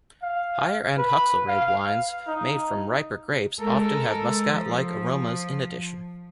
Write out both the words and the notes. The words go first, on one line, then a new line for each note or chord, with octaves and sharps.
Higher-end Huxelrebe wines made from riper grapes often have muscat-like aromas in addition.
F5
B4
F5
D#4
G#3 A4 A#4
F3